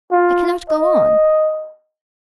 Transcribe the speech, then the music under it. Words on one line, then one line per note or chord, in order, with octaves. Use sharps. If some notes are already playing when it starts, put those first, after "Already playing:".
I cannot go on.
F4
D#5